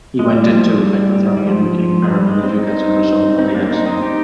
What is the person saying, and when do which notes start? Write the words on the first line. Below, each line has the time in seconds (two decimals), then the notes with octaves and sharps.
He went into hypothermia and became paraplegic as a result of the accident.
0.19 G#3
0.35 G3
0.51 F3
0.67 G3
1.37 G3
1.47 F3
2.03 G#3
2.11 G3
2.27 G#3
2.43 C4
2.59 C4 D#4
3.38 C4 D#4
3.55 A#3 D4
3.70 C4 D#4
3.86 C4 D#4
4.02 D#4 G4